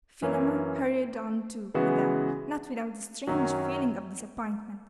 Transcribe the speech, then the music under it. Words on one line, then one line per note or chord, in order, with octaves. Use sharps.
Philammon hurried on too with them, not without a strange feeling of disappointment.
F#2 E3 A#3 C#4
C#3 E3 G#3 B3 F#4
F#2 D#3 F#3 C#4 F#4